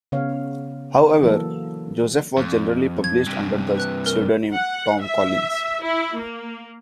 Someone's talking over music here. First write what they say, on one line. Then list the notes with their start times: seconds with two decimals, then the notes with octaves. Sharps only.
However, Joseph was generally published under the pseudonym "Tom Collins".
0.12 C#3 B3 C#5 F5
1.23 E3 F#3 A#3 A4
2.37 F2
3.04 G#6
3.26 G2 C3
3.78 B4 F#6
4.06 A#4
4.54 F#5
5.01 E5
5.83 E4
6.17 A#3